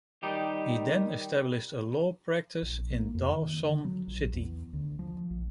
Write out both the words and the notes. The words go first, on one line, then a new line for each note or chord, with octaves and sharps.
He then established a law practice in Dawson City.
D#3 G3 D#4 G4
A#1
A#3
F2
D#3
D3
F#3
A#1
E2
D2
F3
A#1